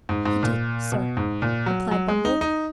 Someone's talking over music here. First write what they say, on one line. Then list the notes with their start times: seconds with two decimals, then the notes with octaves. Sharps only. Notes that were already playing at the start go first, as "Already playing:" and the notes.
'He did, sir,' replied Bumble.
0.09 G#2
0.25 G#2
0.43 A#2
0.92 B2
1.17 G#2
1.42 A#2
1.66 F#3
1.91 F#3
2.08 G#3
2.25 D#4
2.41 D#4